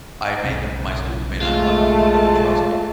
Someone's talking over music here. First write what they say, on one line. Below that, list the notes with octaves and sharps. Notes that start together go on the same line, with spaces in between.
I may not my students may not like me, but they trust me.
B1 C#3 C#4
G#3 A3 F4 A5